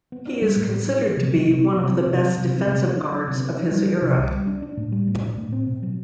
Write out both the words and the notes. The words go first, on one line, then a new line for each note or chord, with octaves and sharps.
He is considered to be one of the best defensive guards of his era.
B3
D4
G3
A2
B3
D4
B3
C3
F#3
C3
B3
C3
C4
C3
F#3
C3
C4
C3
B3
D4
F#3
C3
B3
D4
G3
D4
C3
C2
G3
D4
D4
A2
G3
A2
D4
A2
C4
B2
F#3